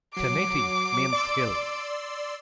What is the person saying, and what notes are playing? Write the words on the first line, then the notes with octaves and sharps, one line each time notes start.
"Tanety" means hill.
F#3 D6 C7
D5 C6 E6